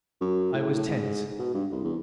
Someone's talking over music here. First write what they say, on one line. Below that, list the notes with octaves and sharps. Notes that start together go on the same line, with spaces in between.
I was tense.
F#2
A2
A2
G#2
B2
G2
C2
E2